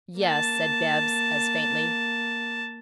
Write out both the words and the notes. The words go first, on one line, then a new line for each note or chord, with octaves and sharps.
"Yes," said Bibbs, as faintly.
A#3 A5